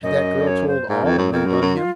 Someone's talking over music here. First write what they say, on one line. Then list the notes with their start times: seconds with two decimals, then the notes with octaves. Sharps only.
Had that girl told all and undone him?
0.03 F#2 D#5
0.47 C#5
0.68 C5
0.89 G#2 A#4
1.04 F2
1.18 F#2
1.32 F2 A#4
1.46 F#2
1.53 F#4
1.61 F#2
1.75 F4